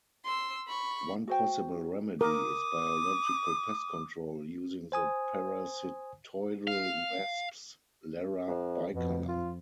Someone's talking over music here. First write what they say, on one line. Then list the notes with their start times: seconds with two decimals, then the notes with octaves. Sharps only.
One possible remedy is biological pest control using the parasitoidal wasps "Larra bicolor".
0.24 C6 E6
0.67 B5 C#6
1.28 F#4 C5 G5
2.21 A#4 D6 D#6
4.92 C5 G#5 D#6
6.67 F5
8.48 F2
8.95 F2 B2
9.29 F4